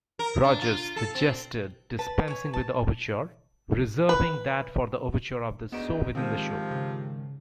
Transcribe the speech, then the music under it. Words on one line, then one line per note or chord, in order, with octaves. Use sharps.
Rodgers suggested dispensing with the overture, reserving that for the overture of the show-within-the-show.
A#4
D4
F4
A4
C4
B4 A5
C#5 G#5
A5
B4
D2 G#2 B3 D#4 D7 E7
G#2 C3 D#3 F3 C4
C#3